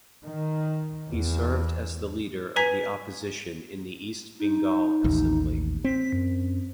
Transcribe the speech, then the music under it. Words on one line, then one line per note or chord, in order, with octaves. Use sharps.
He served as the leader of the opposition in the East Bengal Assembly.
D#3
E2
B4 G#5 A#5 G#6 B6
D#4
A1 D#2
C4 B6
F#2